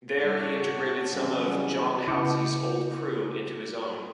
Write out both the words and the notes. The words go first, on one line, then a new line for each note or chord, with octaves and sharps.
There he integrated some of John Halsey's old crew into his own.
G3 D4 E4 C#5
F#4
C#3 E3 F#3 G3
C#3 E4 D6 G6 C#7